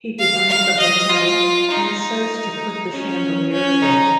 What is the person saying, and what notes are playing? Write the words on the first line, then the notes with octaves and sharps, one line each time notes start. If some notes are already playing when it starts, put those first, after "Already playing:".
He designs the hotel and says to put the chandeliers there.
F5
F5
D#5
F4
D#4
C#4
C#4
D#4